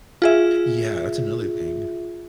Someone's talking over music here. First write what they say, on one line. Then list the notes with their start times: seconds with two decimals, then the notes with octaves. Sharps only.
Yeah, that's another thing.
0.22 F4 G#4 E5